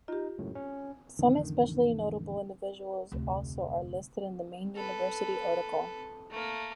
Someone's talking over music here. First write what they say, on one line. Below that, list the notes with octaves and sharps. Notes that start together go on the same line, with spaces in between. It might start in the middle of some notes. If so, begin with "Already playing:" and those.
Some especially notable individuals also are listed in the main university article.
D#4 F4 G4
C#2 F#2 A2
C#4
A1 F2 D3 D#3
F1 D2
A4 B4
A3 A#3